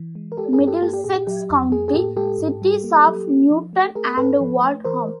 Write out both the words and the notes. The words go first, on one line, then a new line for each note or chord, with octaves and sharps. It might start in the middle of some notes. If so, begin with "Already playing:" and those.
Middlesex County: Cities of Newton and Waltham.
Already playing: E3
G#3
A#4
G#3 G4 A4
G#4 A#4
G2
G4 A4
A#3 G4 A4
G4
A#2 G#4
G4
F#3 G4
F2
A#3 G#4
G#4
A2 G4 A4
G#3 G4 A4
G#2
G3
A#3
F#3
A#3
F3
A3
A3 G#4 A#4
G#2 A4 B4
F3
A3
E3 A#4 C5